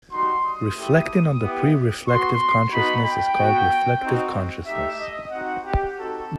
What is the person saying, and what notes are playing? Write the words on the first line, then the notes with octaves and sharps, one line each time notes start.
Reflecting on the pre-reflective consciousness is called "reflective" consciousness.
G3 D#4 F#4 C6
D#6
A3 E4 G4
B3 E4 G4
B3 F#4 C6
B3 D#4 F#4 B5
G5
B3 F#4
C4 D#4 F#4
A3 D#4 G4 E5
D#5
C4 D#4 F#4 F#5
G4
C4 D#4 F#4 A4